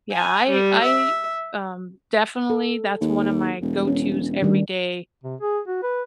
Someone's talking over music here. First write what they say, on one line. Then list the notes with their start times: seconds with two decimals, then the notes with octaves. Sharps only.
yeah, I I, um definitely that's one of my go-to's every day
0.12 G#5
0.50 G3
0.83 E5
2.50 A4
3.01 D#2
3.61 E1
3.87 C#4
4.42 D2 D#3 G3
5.24 C3
5.41 G#4
5.67 F#4
5.83 B4